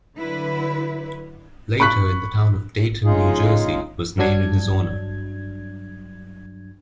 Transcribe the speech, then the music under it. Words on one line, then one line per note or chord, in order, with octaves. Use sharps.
Later, the town of Dayton, New Jersey, was named in his honor.
D3 F#3 E4 B4
B5 C#6 F#6 B6
C#3 G#3 D#4 F4 G#4
G2 F#3 D4 G#6